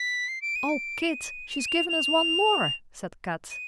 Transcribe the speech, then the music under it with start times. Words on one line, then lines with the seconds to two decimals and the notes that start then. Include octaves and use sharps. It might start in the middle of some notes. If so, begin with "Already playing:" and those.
"O Kit, she's given us one more!" said Kat.
Already playing: B6
0.28 C7
0.42 D7
0.56 D#7
0.69 D7
1.02 F7
1.09 D#7
1.49 F7
1.59 D#7
1.68 F7
1.89 F7
3.51 D#7